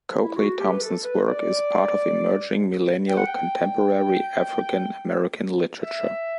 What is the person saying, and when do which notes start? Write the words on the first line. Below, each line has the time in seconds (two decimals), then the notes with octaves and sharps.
Coakley-Thompson's work is part of emerging millennial contemporary African-American literature.
0.22 E4
0.36 F#4
0.58 G4
0.70 B4
0.81 A4
1.04 B4
1.27 D5
3.09 G5
3.17 F#5
3.26 G5
5.82 E5